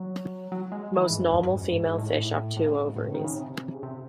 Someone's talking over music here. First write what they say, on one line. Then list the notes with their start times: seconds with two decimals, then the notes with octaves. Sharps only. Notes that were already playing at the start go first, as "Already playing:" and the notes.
Most normal female fish have two ovaries.
Already playing: F#3
0.52 F#3
0.72 G#3
0.96 E3
1.10 G#2
1.21 F#2
1.30 E2
1.40 F#2
1.50 G#2
1.60 F#2
1.69 G#2
1.98 A2
2.06 G#2
2.12 A2
2.57 A2
2.66 C#3
2.76 D#3
2.85 G#2
2.96 A2
3.06 C#3
3.14 D#3
3.24 C#3
3.34 C3
3.74 C#3
3.83 C3